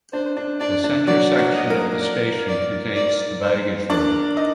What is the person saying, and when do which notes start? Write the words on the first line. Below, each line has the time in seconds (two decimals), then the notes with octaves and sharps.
The center section of the station contains the baggage room.
0.13 D4 C5
0.37 D4
0.60 D4 D5
0.84 D4
1.07 F#3 F#4 D5
1.39 F#3 F#4
1.54 D#5
1.70 A#3 A#4
2.01 D5
2.48 D5
2.96 D5
3.42 C5
3.90 D4 A#4 D5
4.37 D#4 D#5